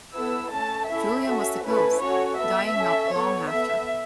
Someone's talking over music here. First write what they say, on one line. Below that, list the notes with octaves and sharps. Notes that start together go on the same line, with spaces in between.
Julian was deposed, dying not long after.
B3 E4 A4 E6
A3 C#4 A4 A5
C#4 E4 A4 E5
C#4 F#4 A4
A3 C#4 E4 A4 B4
C#4 F#4 A4 C#5
B3 A4 E5
C#4 A4
B3 A4 C#5
B3 A4 E5